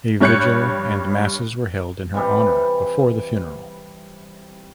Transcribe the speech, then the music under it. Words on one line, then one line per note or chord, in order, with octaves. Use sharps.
A vigil and masses were held in her honor before the funeral.
G2 G3 C#5 F#6 G6 C#7
C3 E3 G3